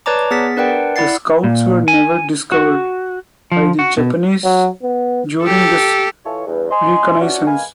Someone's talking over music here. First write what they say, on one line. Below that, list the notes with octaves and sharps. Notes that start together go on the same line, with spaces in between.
The scouts were never discovered by the Japanese during this reconnaissance.
B4 C#5 D5 A5 A#5 D6
B3 G#4 A6 B6
D4 A#4 B4 D5 F#5 G5
E4 D5 F#5 A6 C7
A#2
G#5
F#4
F3
F#4
B2
F#3
B3
G4 A4
E3 F4 A4 C#5
E2 G2
D#5 G#5 C6
E3 C#4 D4 F#4
G#3 A#3 B4 F5 G#5